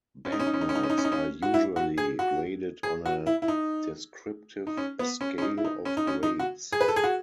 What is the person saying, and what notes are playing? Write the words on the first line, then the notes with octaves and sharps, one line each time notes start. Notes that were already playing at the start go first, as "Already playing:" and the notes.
Banknotes are usually graded on a descriptive scale of grades.
C#4
D#4
C#4
D#4
C#4
D#4
C#4
D#4
C#4
D#4
C#4
D#4
C#4
F#4
E4
F#4
G#4
F#4
G#4
F#4
E4
E4
D#4
D#4
C#4
B3
C#4
C#4
D#4
E4
D#4
C#4
D#4
C#4
D#4
F#4
G#4
B4
A4
G#4
F#4